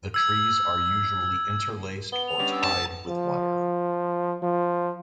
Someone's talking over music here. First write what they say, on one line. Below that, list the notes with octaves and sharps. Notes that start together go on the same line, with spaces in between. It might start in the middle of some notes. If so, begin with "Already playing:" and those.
The trees are usually interlaced or tied with wire.
E6 G#6
B3 G7
F7
G3 C#4 D4
E6
A5
F3
F3